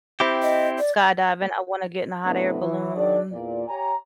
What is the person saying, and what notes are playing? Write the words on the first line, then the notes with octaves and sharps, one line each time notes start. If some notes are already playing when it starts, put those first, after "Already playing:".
skydiving, I wanna get in a hot air balloon
C4 E4 G4
D#5
D5
A2 C3 A3 B3 D4 E4
E3
D#3 D4 G#4 D5
E2 A#2 D5
G4 C#5 G#5 A#5